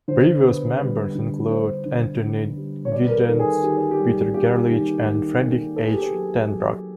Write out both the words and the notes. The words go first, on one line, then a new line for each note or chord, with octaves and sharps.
Previous members include Anthony Giddens, Peter Gerlich and Friedrich H. Tenbruck.
D3 C5
B3
G3
D3
D3 C5
D3
D3
G3
C#5
G3 D5
B4
A#4
A4
D#3 A4
G#4
D#3 G4
G#4
G4
G3
A#3 G4
D#3
D#3
A#3
B3 A4
G#4
G4
G#4
F#3
F#3